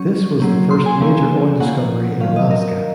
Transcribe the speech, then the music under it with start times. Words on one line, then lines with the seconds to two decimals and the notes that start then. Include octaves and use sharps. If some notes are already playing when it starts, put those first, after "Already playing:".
This was the first major oil discovery in Alaska.
Already playing: F#3 C#4 C#6
0.40 F#3 A#3 C#4
0.71 C6
0.86 G#5
1.01 F3 A#3 C#4
1.60 F3 A#3 C#4 F#5
2.20 D#3 F#3 C#4 F5
2.36 D#5
2.51 A#4